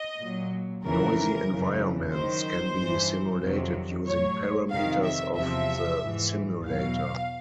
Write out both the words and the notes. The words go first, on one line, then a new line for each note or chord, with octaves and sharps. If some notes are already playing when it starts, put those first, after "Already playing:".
Noisy environments can be simulated using parameters of the simulator.
Already playing: D#5
A#2 F#3
F2 C#3 E3 A#4
F#2 C#3 E3
F#2 D#3 F#3 C5
G2 E3
F2 C3 D#3 F#3
A2 F#3 C#5
F2 C3 D#3 F5
E5
E2 C3 F3 E5
G#2 E3
E2 B2 F#3 F5